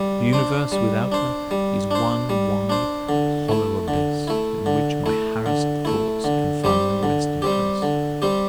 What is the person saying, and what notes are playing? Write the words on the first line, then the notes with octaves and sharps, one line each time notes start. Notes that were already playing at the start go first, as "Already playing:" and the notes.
The universe without her is one wide, hollow abyss, in which my harassed thoughts can find no resting-place.
Already playing: G3
D4 C5
G3
D4 C5
G3
D4 C5
G3
D4 C5
D3
A3 E4
D3
A3 E4
D3
A3 E4
D3
A3 E4
D3
G3 C4 G4
D3
G3 C4 G4
D3
G3 C4 G4